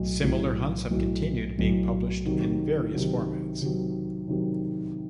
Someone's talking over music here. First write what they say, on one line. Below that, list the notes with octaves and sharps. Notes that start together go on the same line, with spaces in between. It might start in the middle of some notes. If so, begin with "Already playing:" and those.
Similar hunts have continued being published in various formats.
Already playing: B1 A2 F#3
B1 A2 F#3
B1 A2 F#3
B1 A2 F#3
C3 D#3 F#3
C3 D#3 F#3
C3 D#3 F#3
C3 D#3 F#3